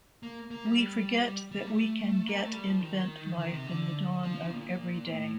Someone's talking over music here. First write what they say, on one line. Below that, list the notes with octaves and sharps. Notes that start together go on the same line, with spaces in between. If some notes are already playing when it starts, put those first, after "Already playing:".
We forget that we can get invent life in the dawn of every day.
A#3
A#3
G3
G3
A3
A#3
A3
G3
F3
D#3
D#3
C3
D3
F3
A#2
A2